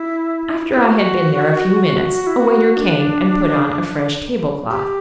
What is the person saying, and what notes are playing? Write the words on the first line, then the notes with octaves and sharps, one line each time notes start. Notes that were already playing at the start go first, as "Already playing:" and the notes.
After I had been there a few minutes a waiter came and put on a fresh table cloth.
Already playing: E4
E4
F#4
F#4
E4
F#4
D4
G4